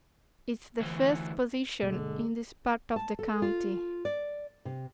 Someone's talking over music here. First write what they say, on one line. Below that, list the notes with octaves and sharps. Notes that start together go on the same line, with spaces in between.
"It's the first position in this part of the county."
D2 E3
G1 B2 D3 G#3 A#3
A5
A4
F4
D5
C3